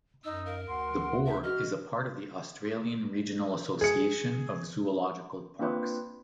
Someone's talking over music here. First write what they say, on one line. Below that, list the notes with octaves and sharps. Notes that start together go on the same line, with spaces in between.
The board is a part of the Australian Regional Association of Zoological Parks.
F#2 D#4 E6
A#4 F5
D2 F#5 C6
E5
F#4 D#5 F6
G#4 C#7
A#3 C4 D4 F4 B4